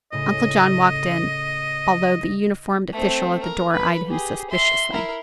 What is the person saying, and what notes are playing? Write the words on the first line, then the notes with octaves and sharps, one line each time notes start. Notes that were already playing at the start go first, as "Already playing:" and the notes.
Uncle John walked in, although the uniformed official at the door eyed him suspiciously.
A2 C#3 D#5
A3 C4
A#4
B4 B5
G4 G#4
E5 C6
E4 A#4